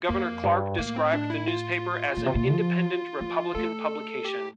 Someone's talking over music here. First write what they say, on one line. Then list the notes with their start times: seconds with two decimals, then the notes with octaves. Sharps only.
Governor Clark described the newspaper as an "independent Republican" publication.
0.09 F2 A#3
0.43 G2
0.78 A2 A#3
0.96 C4
1.13 D4
1.30 E4
1.48 F4
2.17 A#2
2.26 C3
2.35 A#2
2.51 F3
3.21 F3
3.55 A3 A4
4.25 G4